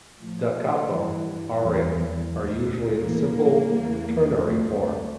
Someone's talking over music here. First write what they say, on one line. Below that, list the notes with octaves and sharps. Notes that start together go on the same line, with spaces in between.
"Da capo" arias are usually in simple ternary form.
A2 F3
G2 E3 G3
E2 E3 G3
D2 D3 G3
A2 E3 G3 A#3
E2 E3 G3
D2 D3 G3 A3 C4
A3